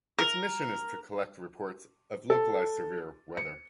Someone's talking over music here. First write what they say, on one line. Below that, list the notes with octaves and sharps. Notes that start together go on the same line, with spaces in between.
Its mission is to collect reports of localized severe weather.
A#4
A4
C#7